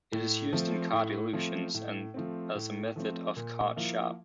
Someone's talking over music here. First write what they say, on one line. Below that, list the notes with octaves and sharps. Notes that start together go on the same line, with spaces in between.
It is used in card illusions, and as a method of card sharp.
A2
F3 A3 C4
A2
F3 A3 C4
A2
F3 A3 C4
A2
F3 A3 C4
A#2
F3 A#3 E4